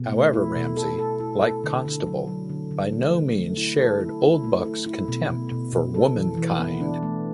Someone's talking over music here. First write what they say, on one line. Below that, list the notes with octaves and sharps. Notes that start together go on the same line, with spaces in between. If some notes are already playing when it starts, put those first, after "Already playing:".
However Ramsay, like Constable, by no means shared Oldbuck's contempt for "womankind".
Already playing: B2
A3
E4
B2
A4
A4
E4
A4
D3
D3
F#3
F#3
D3
D3
A3
D3
A3
E4
A4
E4
E4
A3
E4
E4
B2
B2
B2
B2
A4
E3
E3
B3
D4
A3